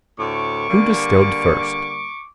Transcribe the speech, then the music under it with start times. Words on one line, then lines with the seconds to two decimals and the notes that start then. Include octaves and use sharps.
Who distilled first?
0.19 D2 A2 C#6 D6
0.69 D3 G3 A#3